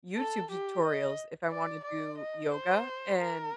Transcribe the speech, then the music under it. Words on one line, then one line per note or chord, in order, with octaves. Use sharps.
YouTube tutorials if I wanna do yoga, and,
A4
G4
D#5
D5
D5
D#5
C5
A#4